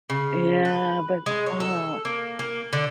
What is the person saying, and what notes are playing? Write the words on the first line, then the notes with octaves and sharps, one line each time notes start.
Yeah, but, aw
C#3
B4
G#3
C#5
A4
A#3
A#3
D3